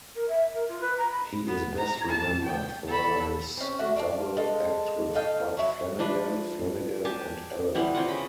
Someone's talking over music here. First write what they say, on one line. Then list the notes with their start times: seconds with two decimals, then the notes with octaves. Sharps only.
He is best remembered for his double act with Bud Flanagan, Flanagan and Allen.
0.15 A#4
0.28 E5
0.54 A#4
0.68 F4
0.80 B4
0.97 A#5
1.11 B5
1.46 B3
1.77 A#5
2.09 A5
2.44 G5
2.87 A4 B5
3.57 C4 C#4
3.79 A3 D4 F#4 E5
3.96 D5 F5 G5 A5
4.37 G#3 A4 F5
5.14 A4 D#5 F5 G5
5.57 F#3 E4
5.99 F3 A3 D4 B4
7.05 G4 G#5 A5
7.75 E3 G3 B3 C4
7.94 A#3 C4 F4 F#5
8.08 C#3 B5